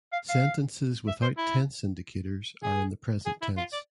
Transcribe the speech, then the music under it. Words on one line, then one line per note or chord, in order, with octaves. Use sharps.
Sentences without tense indicators are in the present tense.
F5
F5
E5
C5
E4
G#4
G#4
E4
F4
D5